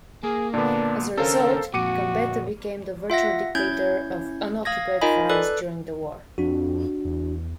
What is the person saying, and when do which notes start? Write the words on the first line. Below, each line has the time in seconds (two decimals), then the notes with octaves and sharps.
As a result, Gambetta became the virtual dictator of unoccupied France during the war.
0.23 A#3 G#4
0.54 A#2 D3 B3 D4
1.18 D3 C#4 A4 A#4 C5 F5
1.74 F2 A#2 F#4 D6 C#7 D#7
3.10 F4 E5 F#5 A#6
3.55 C#4 E4 G6 G#6
4.65 F5 D#6 G#6 A#6
5.01 D#4 F4 A#4 D#5 G#5 B5
5.29 A4 B4 D5 F#6
6.38 F2 D4 F#4
7.05 E2